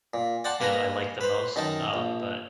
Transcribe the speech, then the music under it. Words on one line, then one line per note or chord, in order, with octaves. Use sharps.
you know, I liked the most. Um, but
A#2
D5 F#5 G5 A5 C6
A#3 B4 G#5 A#5
B4 C5
F#2 D#3 D#4 A5
A#1